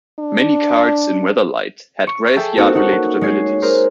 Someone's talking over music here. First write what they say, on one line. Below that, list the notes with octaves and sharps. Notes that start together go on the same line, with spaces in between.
Many cards in "Weatherlight" had graveyard-related abilities.
D4
C#6
G#4 A4 E5 G5 A5
A#3 C4 C#4 D#4 F#4 A4
D#4 F#4 F#5 C#6
G#3 C#5 G#6 C7
G#4 A#4 C5